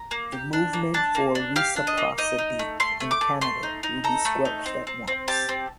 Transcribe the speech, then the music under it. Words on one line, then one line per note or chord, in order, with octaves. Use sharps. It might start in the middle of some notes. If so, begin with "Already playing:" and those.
The movement for reciprocity in Canada will be squelched at once.
Already playing: A#5
A#3
G4
D4
A#3
D4 A5
A#3
D4
G4 F5
D4
D#5
A#3
D#4 D#5
D#4
A3
A3 C6
A3
D6
A3
A3 C6
D#4
D#4
A4 A#5
A3
D#4
C4
C4
C4
G4 A5
C4